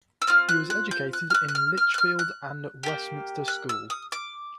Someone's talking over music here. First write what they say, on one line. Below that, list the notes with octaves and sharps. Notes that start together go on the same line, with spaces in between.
He was educated in Lichfield and at Westminster School.
E6
C4 F4 F6
F#6
F#6
G6
F#6
F6
F#6
F#6
F6
F6
F#6
F6
F#6
A#3 D4 G4
F#6
E6
D#6
D6